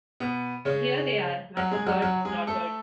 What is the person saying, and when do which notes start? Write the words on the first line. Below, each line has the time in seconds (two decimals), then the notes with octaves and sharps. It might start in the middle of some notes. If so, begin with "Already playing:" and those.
Here they are massacred, slaughtered.
0.20 B2 B3
0.65 C#3 C#4
1.57 F#3 F#4
1.72 G#3 G#4
1.86 F#3 F#4
2.02 F#3 F#4
2.25 G#3 G#4
2.47 A3 A4